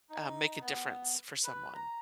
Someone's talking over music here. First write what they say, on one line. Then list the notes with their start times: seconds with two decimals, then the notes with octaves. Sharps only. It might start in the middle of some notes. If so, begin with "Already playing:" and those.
uh, make a difference for someone?
0.09 D#4
0.60 B3
1.44 B4
1.75 A#5